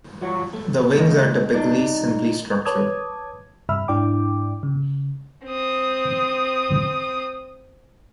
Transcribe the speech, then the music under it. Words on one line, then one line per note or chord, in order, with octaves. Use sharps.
The wings are typically simply structured.
F3 F#4 C#5
A3
A#2 C#3 G#3 D#5
D#4 D5
B4 C#5 A5 D6 D#6 G#6
G2 C3 E5 B5 E6 F6
G#2 D4 E4 D5 G5 D6
C#3
C4 D#6